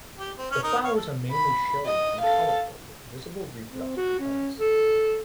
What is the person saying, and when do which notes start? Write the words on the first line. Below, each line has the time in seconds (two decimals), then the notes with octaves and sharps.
The flowers are mainly showy and colorful with visible reproductive components.
0.19 G4
0.38 C4
0.51 C#4 F6
0.63 D#4 A#4 D#6
0.84 C#5 F5
0.95 A4
1.31 B5
1.86 D#5
2.21 A4 F5
3.68 C4
3.97 F#4
4.20 C#4
4.59 A4